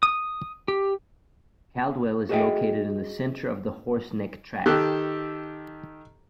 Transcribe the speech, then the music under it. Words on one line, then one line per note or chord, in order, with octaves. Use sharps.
Caldwell is located in the center of the Horse Neck Tract.
D#6
G4
F#4 G#4 C5 D#5 E5 G5
D#3 G4 A4 F#6